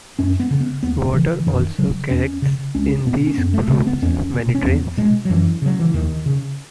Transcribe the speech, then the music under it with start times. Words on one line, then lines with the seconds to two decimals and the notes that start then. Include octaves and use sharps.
Water also collects in these grooves when it rains.
0.19 F#2 C#4
0.40 B3
0.51 C#3
0.61 B3
0.83 D#2 B3
1.14 C#3 E3
1.40 E3
1.46 F#2 D#3
1.79 C#3 F#3
2.10 E2 C#4
2.42 C#3
2.75 C#2 C#4
3.07 B2 B3
3.27 C#4
3.38 F#2 B3
3.54 A3
3.70 C#3 A3
3.87 B3
4.02 E2 C#4
4.34 B2
4.55 C#4
4.66 E2 B3
4.97 B2 G#3
5.25 F#3
5.30 F#2 E3
5.62 C#3 F#3
5.80 E3
5.94 D#2 D#3
6.26 C#3